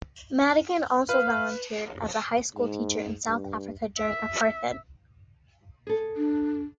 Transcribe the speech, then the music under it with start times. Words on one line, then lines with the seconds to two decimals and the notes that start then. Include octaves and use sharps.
Madigan also volunteered as a high school teacher in South Africa during apartheid.
1.09 B4 F5
2.56 G#2
3.27 G2
3.98 E5
5.87 G#4 A4
6.17 D4